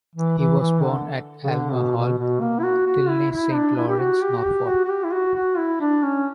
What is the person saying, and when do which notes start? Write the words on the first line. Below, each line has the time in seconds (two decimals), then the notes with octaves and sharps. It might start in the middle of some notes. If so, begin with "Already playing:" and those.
He was born at Aylmer Hall, Tilney Saint Lawrence, Norfolk.
0.15 E3
0.38 E3
0.60 E3
0.82 D3
1.44 C#3
1.50 D3
1.73 B2
1.96 B2
2.18 B2
2.40 A#3
2.59 E4
2.64 F#4
2.86 F#4
3.09 E4
3.32 E4
3.53 D4
3.76 E4
3.88 G4
3.99 F#4
4.22 G4
4.37 F#4
4.44 G4
4.67 F#4
4.85 F#4
4.89 G4
5.04 E4
5.13 F#4
5.35 F#4
5.58 E4
5.81 D4
6.03 C#4